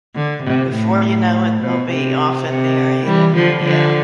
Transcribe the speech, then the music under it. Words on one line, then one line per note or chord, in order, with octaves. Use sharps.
Before you know it, they'll be off and married and yeah.
D3
C3
A2
B2
C3
C3
E3 G3
D3 F3
D3 F3